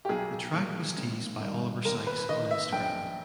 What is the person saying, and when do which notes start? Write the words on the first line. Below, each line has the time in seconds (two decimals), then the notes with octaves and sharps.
The track was teased by Oliver Sykes on Instagram.
0.05 G4
0.09 B1 G#4
0.53 A#2
0.97 G#1
1.41 G2 D#3
1.85 D#2 A#4
2.07 B4
2.29 D#3 D#5
2.51 E5
2.73 A#1 G5